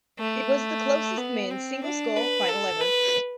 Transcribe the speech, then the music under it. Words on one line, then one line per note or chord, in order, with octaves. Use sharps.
It was the closest men's single scull final ever.
A3
B3
C4
D4
B4
A4
B4